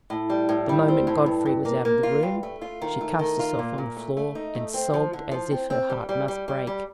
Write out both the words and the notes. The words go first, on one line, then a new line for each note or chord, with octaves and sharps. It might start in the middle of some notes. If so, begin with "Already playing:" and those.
The moment Godfrey was out of the room she cast herself on the floor, and sobbed as if her heart must break.
A2
G3
A2
G3
C4
A2
G2
G2
A#3
A#3
F4
G2
A3
F4
D#3
A3
D#3
F4
A#2
A#2
A3
A3
D#4
A3
C4
F3
D3
F3
C4
C4
G3
G3
G3
G3
G3